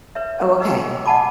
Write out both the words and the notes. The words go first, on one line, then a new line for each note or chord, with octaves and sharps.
Oh, okay.
B4 C#5 E5
B4 C5 D#5 E6
D6
D#5 F#5 G#5 A5 B5 D6